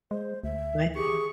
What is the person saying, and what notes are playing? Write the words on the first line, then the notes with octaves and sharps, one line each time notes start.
my thing.
G#3 C5
D2 E5
G4 G#4 C#6